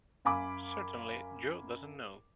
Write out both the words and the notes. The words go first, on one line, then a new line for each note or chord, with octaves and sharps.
Certainly Jo doesn't know.
F#2 F5 G#5 B5 D6